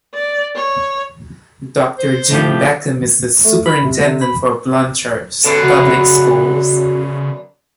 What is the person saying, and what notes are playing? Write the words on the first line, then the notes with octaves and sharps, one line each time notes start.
Doctor Jim Beckham is the Superintendent for Blanchard Public Schools.
D5
C#5
C5
A2 F3 G4
A3
B5
C3
C3
B5
F#2 D3 B3 A4 A#4
C#3 F#4 A#4